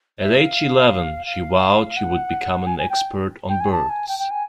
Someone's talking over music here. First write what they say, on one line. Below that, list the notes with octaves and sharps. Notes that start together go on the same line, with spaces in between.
At age eleven, she vowed she would become an expert on birds.
E5
F5
F5
F#5
G#5
G#5
G5
G5
G#5
A5
G#5
G5
G5
G#5